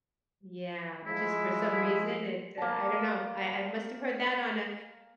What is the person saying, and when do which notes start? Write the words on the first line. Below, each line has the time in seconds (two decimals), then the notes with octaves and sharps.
Yeah, it's just for some reason, it's, uh I don't know, I I must have heard that on a
1.06 F3 G#3 E4
2.58 A#3 A5